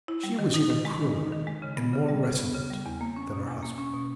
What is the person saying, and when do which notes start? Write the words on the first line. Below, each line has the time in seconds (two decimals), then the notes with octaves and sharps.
She was even crueler and more resolute than her husband.
0.08 E4
0.23 G3
0.39 D#3
0.54 D#4
0.70 D#3
0.85 G#3
1.01 D#3
1.16 D#4
1.32 D#3
1.47 G#3
1.62 C#3
1.77 B3
1.93 C#3
2.09 G3
2.24 C#3
2.39 B3
2.55 C#3
2.70 G3
2.86 E2
3.01 A#3
3.16 C#4
3.32 B2
3.47 E2
3.63 A#3
3.78 C#4
3.93 B2